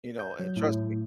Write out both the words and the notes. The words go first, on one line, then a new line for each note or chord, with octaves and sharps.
You know? And trust me.
G6
F#3
A2